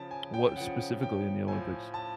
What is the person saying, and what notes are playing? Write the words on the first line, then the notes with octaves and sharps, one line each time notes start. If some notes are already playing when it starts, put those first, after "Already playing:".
What specifically in the Olympics?
Already playing: C#3 F3 A5
G#5
G5
C#3 F3 F#5
G5
A2 F3 G#5
A5